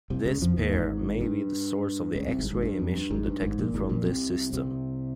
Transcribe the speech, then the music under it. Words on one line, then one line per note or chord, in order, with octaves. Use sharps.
This pair may be the source of the X-ray emission detected from this system.
C2 C3
C#2 C#3
F2 F3
D#2 D#3
G#1 G#2
G2
C#2 C#3
C2 C3
G#1 G#2
G#1 G#2
G2
F2
G2
G#1 G#2
G2
G#1 G#2
A#1 A#2
G#1 G#2
A#1 A#2
C2 C3
C2 C3